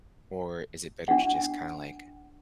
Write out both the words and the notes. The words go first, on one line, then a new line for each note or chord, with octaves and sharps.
or is it better to just kinda, like,
D4 F#5